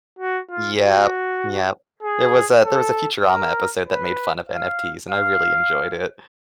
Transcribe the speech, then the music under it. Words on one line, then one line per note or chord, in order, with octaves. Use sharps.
Yep. Yep. There was a there was a Futurama episode that made fun of NFTs, and I really enjoyed it.
F#4
F4
F#4
G#4
A4
A#4
B4
F5
F5